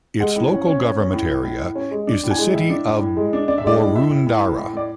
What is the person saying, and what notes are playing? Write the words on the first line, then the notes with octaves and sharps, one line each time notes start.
Its local government area is the City of Boroondara.
G#3 F#5
A2
C#4
C#4
C#4
C#4
A2
A2
A2
A2
C#4
G#3
D4
A2
G#5
G#3
A2 E5
D4
A2
A2
G#3
D4
D4 D5
E5
G#3 D5
A2
A2 E5
A2
A2
A2
A2
A2 D5